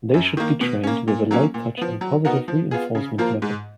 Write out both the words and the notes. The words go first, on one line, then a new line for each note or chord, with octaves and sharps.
They should be trained with a light touch and positive reinforcement methods.
F#2
D#3 A#3
B2
A#3 C#4
A#2
F#3 A#3 C#4
A#2
F3 B3
F#3
B3 D#4 F#4 A#4
F3
B3 F4 G#4
C#3
F3 A#3 F4 A#4
G#2